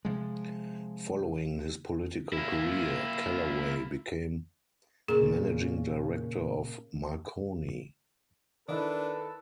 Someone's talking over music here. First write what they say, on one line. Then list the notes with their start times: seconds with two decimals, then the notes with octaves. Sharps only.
Following his political career, Kellaway became Managing Director of Marconi.
0.05 C3 F3 G#3
2.33 A#3 E4
5.08 A#2 C#3 G#4
8.68 D#3 D4 E4 A4 B4